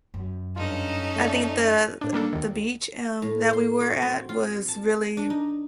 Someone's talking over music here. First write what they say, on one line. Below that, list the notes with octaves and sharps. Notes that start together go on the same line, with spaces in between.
I think the the beach, um, that we were at was really
F#2
G2 C#4 D#4 F4 A4
A3 D5
A2 D4
G3 A#3 D4 A4
D#2 D#3
A2
C6
F#4
C4
F4
A5
D4
D#4